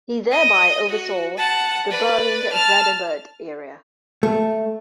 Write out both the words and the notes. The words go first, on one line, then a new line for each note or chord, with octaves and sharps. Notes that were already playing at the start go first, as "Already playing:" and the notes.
He thereby oversaw the Berlin-Brandenburg area.
D#5
F#4
F#5 A5
B4 D5
A5 F6
A3